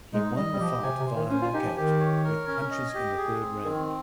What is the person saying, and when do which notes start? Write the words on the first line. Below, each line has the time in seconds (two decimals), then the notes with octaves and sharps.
He won the fight via knockout with punches in the third round.
0.13 G#3 D#4
0.36 G3 D#5
0.52 G3
0.59 F3 G4
0.83 C3 G#5
0.99 C3
1.07 C5
1.15 D#3
1.30 C#4 G#5
1.42 F4
1.53 D#4 G4
1.65 F3
1.77 D#3 G4
2.00 C#5
2.24 A#4
2.47 C#4
2.71 D#5
2.94 G4
3.17 G#4
3.41 C4
3.64 D#3 C4